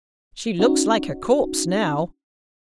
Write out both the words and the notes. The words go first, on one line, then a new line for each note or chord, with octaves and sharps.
She looks like a corpse now.'
C#4 D#4 F#4